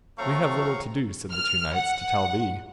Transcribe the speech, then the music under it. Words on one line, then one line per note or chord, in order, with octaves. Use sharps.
We have little to do, said the two knights, to tell thee.
F#3 A3 C4 F5 A#5 C#6
F6
F#5